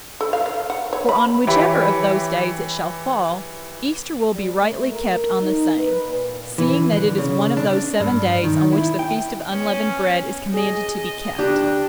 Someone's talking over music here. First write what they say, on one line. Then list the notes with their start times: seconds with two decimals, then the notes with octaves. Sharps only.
For on whichever of those days it shall fall, Easter will be rightly kept on the same; seeing that it is one of those seven days on which the feast of unleavened bread is commanded to be kept.
0.21 A4
0.33 F5
0.46 F5
0.70 F#5
0.93 C#5
1.09 B5
1.47 E3 G4 C#5 E5 G5 B5
4.32 G3
4.61 A3
4.91 A#4
5.42 D#4
5.77 B4
6.06 A#2
6.58 E3
6.92 D3
7.18 C#3
7.57 D4
8.00 G2
8.44 D#3
8.72 E4
8.99 G5
9.50 B3 C#4
10.54 G#4 D#5
11.39 D2 D4 G4